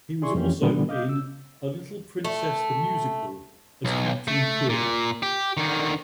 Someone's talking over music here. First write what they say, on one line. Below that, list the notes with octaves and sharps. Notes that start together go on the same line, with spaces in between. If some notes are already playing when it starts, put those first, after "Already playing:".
He was also in "A Little Princess the Musical" as Captain Crewe.
E4 G#4 D5 C6 C#6
F2 E3 C#4 G4
A#2 D3 E3 G3 B3
D#5 F5 D6 G6
E6
A3
B1
A3
A#2
G4
D3 D#3